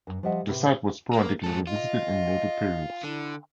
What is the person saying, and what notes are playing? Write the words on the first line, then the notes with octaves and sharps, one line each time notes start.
The site was sporadically revisited in later periods.
F#2
F3 G3 C5 D#5 E5 F#5
A2 C3 B4
A#3
G#2 A4
F4 D#5
D3 E4